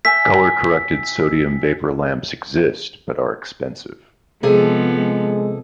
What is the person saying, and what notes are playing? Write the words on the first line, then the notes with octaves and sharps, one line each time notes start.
Color-corrected sodium vapor lamps exist but are expensive.
E5 G5 G#5 B6
C3 F3 G#3 B3 G#4 A4
G#3